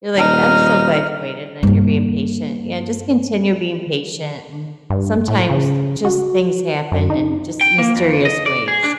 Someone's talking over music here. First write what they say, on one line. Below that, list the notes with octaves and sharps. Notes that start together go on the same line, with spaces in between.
you're like I'm so glad you waited and you're being patient. Yeah, just continue being patient and sometimes, just things happen in just mysterious ways.
D#1 D#4 F6
G2 A#3
G2
A2
C#3
F#4
F#2
D#4
G5
A#3
F2
D#5
D5
G#4
D4